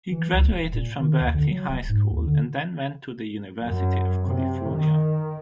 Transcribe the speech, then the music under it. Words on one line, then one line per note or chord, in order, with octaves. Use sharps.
He graduated from Berkeley High School and then went to the University of California.
E3
C#2
D#1
A#2
D#3
D#2
D3
F#3
D#1
G#2
D#2
D3
F#2
C3
D#3